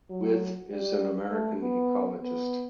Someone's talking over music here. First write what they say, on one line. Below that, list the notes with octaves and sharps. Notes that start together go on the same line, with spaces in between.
With is an American ecologist.
F#3
G3
A3
B3
B3